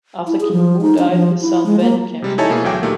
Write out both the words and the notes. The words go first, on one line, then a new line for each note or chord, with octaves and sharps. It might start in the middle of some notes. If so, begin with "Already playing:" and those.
After King Wu died and his son, Wen, came to the throne.
E4
G#4
F3
D#4
D4
F3
E4
G#3
A#3
C3 G3 G#3
D#4 E4 A4 C#5 G#5 A5
B2 A#3 E4 G#4 A4
D2 F#3 G5 D6
A#2 D#3 A3 G4